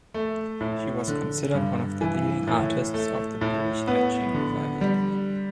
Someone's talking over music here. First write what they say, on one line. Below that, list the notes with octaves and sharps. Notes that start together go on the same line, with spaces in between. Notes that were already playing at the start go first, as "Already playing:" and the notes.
She was considered one of the leading artists of the British Etching revival.
A3
A2
D3
G2
E3
A2
A3
A2
B3
D3
G3